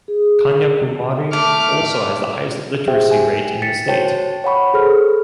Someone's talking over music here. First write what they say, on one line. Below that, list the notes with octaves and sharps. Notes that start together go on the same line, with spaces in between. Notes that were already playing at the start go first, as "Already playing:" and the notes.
Kanyakumari also has the highest literacy rate in the state.
G#4
A3 D6 F6
G4 G#4 C5 E5 G5
G5 G#5
A6 B6 C#7
F#4 C5 C#5 G5 A5
C#5 F#5 B5 C#6
G#4 A4 C5 F6